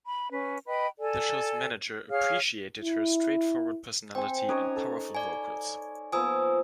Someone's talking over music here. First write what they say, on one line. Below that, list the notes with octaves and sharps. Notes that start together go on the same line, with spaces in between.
The show's manager appreciated her straightforward personality and powerful vocals.
B5
C#4 B4
B4 D#5 G5 B5
A4 D5 G#5
G#4 C#5 F5 F6
E4
C4 G5 G#5
C#4 D#4 C#5 D#6
A4
D5 G#5
F3 A#3 B3 G#5 D#6 E6